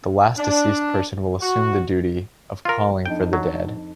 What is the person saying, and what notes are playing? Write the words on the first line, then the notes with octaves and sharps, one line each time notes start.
The last deceased person will assume the duty of calling for the dead.
D4
F#4
F4 A#4
F2 D4 D#4 G5
F#3